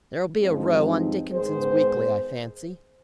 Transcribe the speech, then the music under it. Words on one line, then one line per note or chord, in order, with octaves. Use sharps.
There will be a row on Dickenson's Weekly, I fancy.'
G2 F3 G#3 C4 D#4
G#2 D#3 B3 G#4 C5